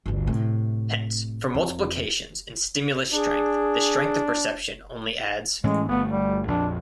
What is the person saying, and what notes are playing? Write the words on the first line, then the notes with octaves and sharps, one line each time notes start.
Hence, for multiplications in stimulus strength, the strength of perception only adds.
G1 D2
A2 C3
F2
D4 G#4
A2 E3 G#3 C#4
G1 A3 B3
G3
A#1 F2 D4